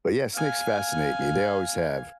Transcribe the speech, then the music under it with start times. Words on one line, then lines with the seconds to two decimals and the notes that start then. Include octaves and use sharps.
but, yeah, snakes fascinate me, they always have.
0.34 F5 G#5